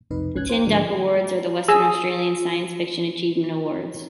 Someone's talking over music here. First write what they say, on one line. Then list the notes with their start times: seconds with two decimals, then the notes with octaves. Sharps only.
The Tin Duck Awards are the Western Australian science fiction achievement awards.
0.11 B1 F2 C3 D#4 B4
0.34 G#1 C#2 G#2 C#4 F#6 G#6
0.49 C5 G5
0.66 G#2 D3 F3 G#3 D4
1.68 G#4 E6